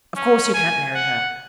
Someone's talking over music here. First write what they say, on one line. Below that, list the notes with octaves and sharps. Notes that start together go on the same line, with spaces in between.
Of course you can't marry her.
C#4
G#5
F#5